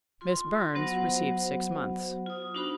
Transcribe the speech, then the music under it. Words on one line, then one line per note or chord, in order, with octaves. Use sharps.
Miss Burns received six months.
F4 C6
F#3 B3 F#4 C5 F#5
F4 D#6
D4 D#4 F#4 C5 B5